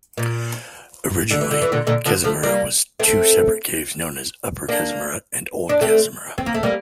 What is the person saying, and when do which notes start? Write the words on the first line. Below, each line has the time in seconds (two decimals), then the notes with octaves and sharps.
Originally Kazumura was two separate caves known as Upper Kazumura and Old Kazumura.
0.18 A#2
1.31 D3
1.41 E3
1.51 D3
1.62 E3
1.72 A#2 D3
1.87 A#2 D3
2.06 D3 F3
2.24 F3 A3
2.43 G3 A#3
3.00 A3 C4
4.69 A#3 D4
5.69 D4
5.81 A3 C4
6.38 C4
6.46 A#3
6.54 A3
6.63 G3 A#3